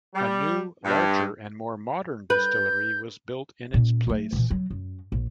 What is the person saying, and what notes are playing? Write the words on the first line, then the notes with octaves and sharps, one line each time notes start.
A new, larger and more modern distillery was built in its place.
G3
G2
B4 G6
A#2 C#4
F#3 A3
A#2 E3
F#3
F#2
A#1